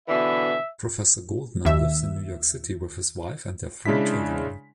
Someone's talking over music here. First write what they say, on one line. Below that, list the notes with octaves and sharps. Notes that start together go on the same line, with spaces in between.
Professor Goldman lives in New York City with his wife and their three children.
B2 D3 E3 E5
D#2 E5
C#3 G#3 D4 E4 B6